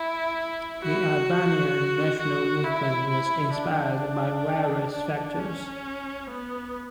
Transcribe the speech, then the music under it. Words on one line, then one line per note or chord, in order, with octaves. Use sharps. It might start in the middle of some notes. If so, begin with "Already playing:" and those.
The Albanian national movement was inspired by various factors.
Already playing: E4
F#4
F#4
E4
E4
D4
D4
C#4
B3